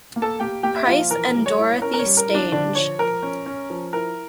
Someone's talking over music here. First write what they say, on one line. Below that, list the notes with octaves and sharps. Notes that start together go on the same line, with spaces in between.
Price and Dorothy Stange.
A#3
A4 A5
A#3 G4 G5
A#3 G4 G5
E5
F3 F4 F5
E3 A#4
G3
C#5
E4
C#4 A#4
A#4
C#5
G3
A#4
E4
D4 D5
D3 D4 D5
F3 C#5
F3 A#4
C#4
C#4
F3
E4 A#4